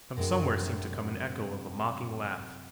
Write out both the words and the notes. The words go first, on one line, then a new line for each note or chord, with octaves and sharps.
From somewhere seemed to come an echo of a mocking laugh.
F#2 C3 G#3 D4